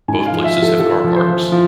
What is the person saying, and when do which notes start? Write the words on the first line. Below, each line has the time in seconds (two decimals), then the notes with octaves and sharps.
Both places have car parks.
0.08 G#2 G#5
0.26 F5
0.32 F3
0.44 E5
0.56 F3
0.62 A4
0.80 F3 A4
1.04 F3
1.16 C5
1.28 F3
1.52 F3